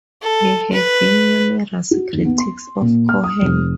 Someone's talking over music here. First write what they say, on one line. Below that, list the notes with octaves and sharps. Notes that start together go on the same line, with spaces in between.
There have been numerous critics of Cohen.
A4
B4
F#4
D#2
B3
C6
A#2
F6
D#6
F1